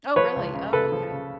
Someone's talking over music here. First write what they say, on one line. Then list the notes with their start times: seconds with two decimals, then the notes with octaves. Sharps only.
Oh, really? Oh, okay.
0.16 F3 B4 C#5
0.36 C#2
0.54 C#3
0.73 C#3 A4 B4
0.92 F3
1.11 C#3